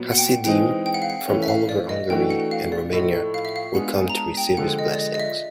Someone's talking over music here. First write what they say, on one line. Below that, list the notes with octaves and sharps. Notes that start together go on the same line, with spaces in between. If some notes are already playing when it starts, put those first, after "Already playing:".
Hasidim from all over Hungary and Romania would come to receive his blessings.
Already playing: A#2 F#3 B3
F#5
G5
E3 G#3 C4 D#4 G#4 G5
G5
F#5
F5
F#5
E3 A3 C#4
E5
F5
D5
D#5
E3 A3 D4 F#4 G5
F#5
F5
D5
A2 F3 A3 D#5
F5
E5
F5
G#3 B3 D4 F4 G#4 F#5
G#5
A#5
A5
G5
D3 F3 G#3 F#5
D#5
D5
D#5
D#5
E5